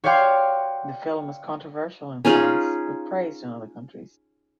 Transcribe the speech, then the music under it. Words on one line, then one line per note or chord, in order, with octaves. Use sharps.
The film was controversial in France but praised in other countries.
F#4 C#5 D5 F5 G5 C6
C#4 D#4 F4 G#4